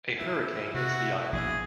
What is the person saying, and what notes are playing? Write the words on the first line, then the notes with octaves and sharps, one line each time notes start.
A hurricane hits the island.
E4
C3 F#4
A#1 B2 G#4